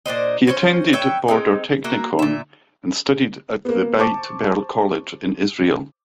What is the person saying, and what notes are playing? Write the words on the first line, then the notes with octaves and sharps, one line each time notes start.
He attended Border Technikon and studied at the Beit Berl College in Israel.
A#2 D4 C5 D#5
C#4 F#4 B4 C5
B4 C#5 E5 G5
G#3 C4 D#4
A#3 F#4 A#4 E5
A#2 E5
A#3 B3
C5 A5 C#6 D6